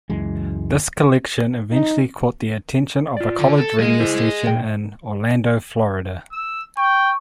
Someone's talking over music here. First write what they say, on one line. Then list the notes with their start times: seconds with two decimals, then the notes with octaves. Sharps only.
This collection eventually caught the attention of a college radio station in Orlando, Florida.
0.10 C#2 F#2 E3 G#3
1.72 D#4
3.17 F4 D5
3.40 D3
3.58 A4
3.79 G#3 A#3 G#4 D#5
4.00 E4 C5
4.47 A#2 G5
6.33 E6
6.77 G5 C#6